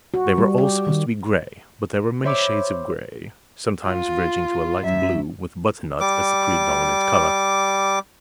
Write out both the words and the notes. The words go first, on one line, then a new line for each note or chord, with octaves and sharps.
They were all supposed to be gray, but there were many shades of gray, sometimes verging to a light blue, with butternut as the predominant color.
F#4
G3
G4
D#3
C5 C#5 E5 B5 D6
F4
F#2 E5
G3 D6